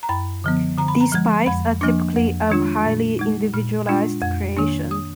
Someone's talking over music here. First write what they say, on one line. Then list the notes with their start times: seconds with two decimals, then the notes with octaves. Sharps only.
These bikes are typically a highly individualized creation.
0.03 A#5
0.09 F#2 B5
0.44 D3 F3 B3
0.78 D3 A#5
0.88 B5
1.00 A#5
1.12 F3 G#3
1.46 F2 B5
1.81 F3 A#3 D4 D6
2.16 F2
2.50 D#3 G#3 D4 F4
2.85 A#2
3.19 G#3 D#4
3.53 A#2 F6
3.87 G#3 D4 F4
4.22 F2
4.56 D#3 A#3 D4
4.91 D#6